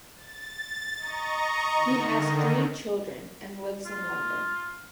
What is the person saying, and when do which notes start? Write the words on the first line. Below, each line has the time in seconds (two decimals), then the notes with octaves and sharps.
He has three children and lives in London.
0.16 A6
0.97 D#5 A#5 C#6
1.74 D3 D#3
3.86 F4